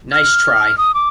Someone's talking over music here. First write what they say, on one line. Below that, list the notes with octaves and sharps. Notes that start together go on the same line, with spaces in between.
Nice try!
F6
D#6
D6